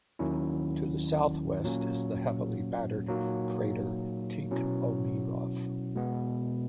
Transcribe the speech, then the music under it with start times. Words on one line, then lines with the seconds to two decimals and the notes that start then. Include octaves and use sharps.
To the southwest is the heavily battered crater Tikhomirov.
0.19 D#2 D#3 F#3 C#4 E4
1.63 A#2 F#3 A#3 C#4
3.07 A#2 F#3 A#3 D#4 F#4
4.51 B2 F#3 C#4 E4
5.95 B2 G#3 B3